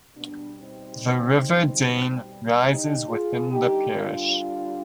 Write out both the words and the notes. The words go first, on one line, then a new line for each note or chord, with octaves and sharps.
The River Dane rises within the parish.
B2 G3 B3 D4
C4 D#4
D#4 G4
F4 G#4
D3 G3 D#4 G4
D4 F4